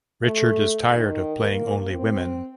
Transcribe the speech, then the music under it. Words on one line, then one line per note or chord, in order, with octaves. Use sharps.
Richard is tired of playing only women.
A3
D#3
A#3
C4